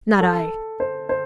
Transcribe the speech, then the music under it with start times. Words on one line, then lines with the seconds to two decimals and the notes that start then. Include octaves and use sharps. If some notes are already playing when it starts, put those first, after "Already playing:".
"Not I."
0.20 A4
0.80 C5
1.09 C5